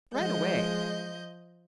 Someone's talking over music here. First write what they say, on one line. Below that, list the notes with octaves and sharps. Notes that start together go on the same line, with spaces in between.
"Right away."
F3 G#3 D#5 G6